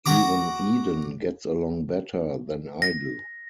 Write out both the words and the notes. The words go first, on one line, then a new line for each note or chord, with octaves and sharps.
Even Eden gets along better than I do.
F#4 A#5 D6
A#6